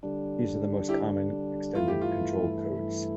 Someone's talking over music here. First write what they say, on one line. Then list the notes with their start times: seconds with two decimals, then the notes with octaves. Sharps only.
These are the most common extended control codes.
0.03 D3 G3 D4
0.88 E4 G4
1.75 G2 E3 A3 E4 F4
1.88 G4
2.01 F4